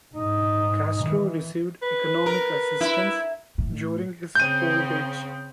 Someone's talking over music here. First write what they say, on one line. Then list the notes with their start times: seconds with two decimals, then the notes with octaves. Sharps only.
Castro received economic assistance during his old age.
0.15 G#2 D#4
1.04 E3
1.82 B4
2.26 A#4
2.81 E4
3.58 A2
4.35 C#3 C4 G6 D#7